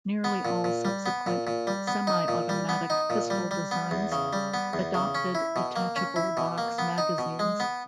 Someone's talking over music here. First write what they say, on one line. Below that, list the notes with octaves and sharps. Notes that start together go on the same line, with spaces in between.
Nearly all subsequent semi-automatic pistol designs adopted detachable box magazines.
B3
A#2
A#2
G3
B3
A#2
A#2
G3
B3
D#4
A#2
G3
B3
D#4
A#2
G3
G3
B3
E2
C#3
G3
B3
E2
C#3
C#4
E4
B2
A#3
C#4
E4
B2
A#3
B3
D#4
B2
G#3
B3